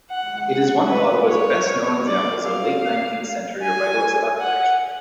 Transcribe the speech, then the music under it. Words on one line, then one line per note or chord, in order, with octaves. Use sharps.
It is one of Ottawa's best known examples of late-nineteenth century revivalist architecture.
F#5
F#5
B4
C#5
D5
F5
G#5
F#5